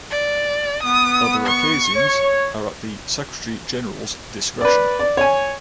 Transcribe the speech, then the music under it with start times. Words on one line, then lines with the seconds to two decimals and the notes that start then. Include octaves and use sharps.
Other occasions are at the Secretary-General's discretion.
0.11 D5
0.83 B3 D#6
1.46 C#6
1.95 C#5
4.61 B4 D5
4.99 D5
5.17 C#5 G#5